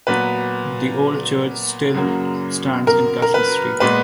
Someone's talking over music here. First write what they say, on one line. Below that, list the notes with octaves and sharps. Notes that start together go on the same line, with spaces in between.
The old church still stands in Castle Street.
A#2 F#3 B3 B4
F#2 C#3 F#3 A#3
A#4
A#4
B4
A#2 G#3 B3 B4